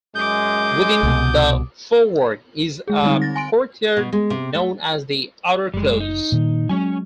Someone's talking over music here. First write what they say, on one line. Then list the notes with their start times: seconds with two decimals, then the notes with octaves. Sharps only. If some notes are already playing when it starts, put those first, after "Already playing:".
Within the Forework is a courtyard known as the Outer Close.
0.15 F#2 G#3 D6 D#6 G6
1.03 C2 B2
2.88 G#3 G#4
3.03 D3 G3 C4 D#4
3.22 A6 A#6
3.36 G#5 C6 D7
3.97 B2
4.12 G#3
4.30 C3
4.55 A3
5.74 F#1 G3 G#3
6.00 D#4
6.32 A#2 D#3 A#3
6.69 F#3 G#3 C#4 G#5